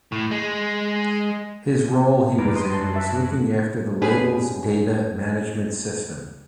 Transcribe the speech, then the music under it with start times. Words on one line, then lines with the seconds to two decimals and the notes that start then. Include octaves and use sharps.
His role he was in was looking after the labels data management system.
0.12 A2
0.31 G#3
2.38 F2 G#2 B4 D5 A#5
2.56 B4 D#5 C6
2.72 F#2 A5 C6
2.94 E5 A5
4.02 F#2 G4 G#4 B4 G#5